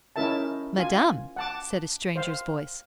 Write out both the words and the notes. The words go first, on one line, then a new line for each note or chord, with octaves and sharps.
"Madame!..." said a stranger's voice.
C#4 D#4 E4 A#4 E5 A5
F4 G#5
F#5 A5 D6
C5 F5